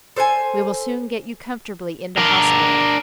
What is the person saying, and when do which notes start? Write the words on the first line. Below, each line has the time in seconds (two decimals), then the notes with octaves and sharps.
We will soon get you comfortably into hospital.
0.16 A4 C5 F5 G#5
2.17 D4 A#4